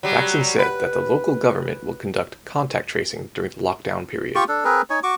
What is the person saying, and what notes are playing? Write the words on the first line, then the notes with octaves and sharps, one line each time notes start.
Lacson said that the local government will conduct contact tracing during the lockdown period.
F#3 G3
B4
F4 G4 C#6
D4 A4
C4 G#4 A#4 B4
D#4 C#5 G#5
F#4 C#6 D6